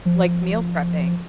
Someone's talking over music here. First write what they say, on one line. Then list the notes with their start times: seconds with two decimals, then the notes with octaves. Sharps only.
Like, meal prepping.
0.05 F3